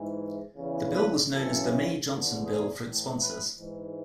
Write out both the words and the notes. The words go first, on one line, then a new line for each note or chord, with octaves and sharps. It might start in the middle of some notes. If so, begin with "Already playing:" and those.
The bill was known as the May-Johnson Bill for its sponsors.
Already playing: G#2 E3
E2 C#3 E3
B4
F#2 C#3 E3 A4
E2 D3
G#4
A2 E3
B4
G#2 E3